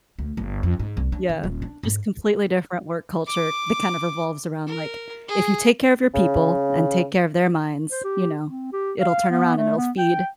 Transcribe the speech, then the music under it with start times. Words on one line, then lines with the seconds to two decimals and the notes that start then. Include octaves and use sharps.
yeah, just completely different work culture that kind of revolves around, like, if you take care of your people and take care of their minds, you know, it'll turn around and it'll feed
0.19 D2
0.37 G1
0.63 F2
0.79 G#2
0.97 C2
1.12 D4
1.29 D#3
1.44 D#1
1.62 D4
1.83 G#2
3.27 D6
4.67 A#4
5.28 G#4
6.14 C#3
7.92 C5
8.04 G4
8.47 C4
8.73 G4
9.01 F5
9.31 B3
9.57 A3
9.78 B3
9.98 G5